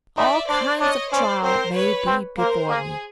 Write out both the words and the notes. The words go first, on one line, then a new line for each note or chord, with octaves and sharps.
All kinds of trial may be before me.
D#4 D5 E5
D4 C5 D5
D4 C#5 D#5
C#4 C5 D5
C4 A#4 C5
B4 C#5
C4
A#3 A#4 C5
A#3 G#4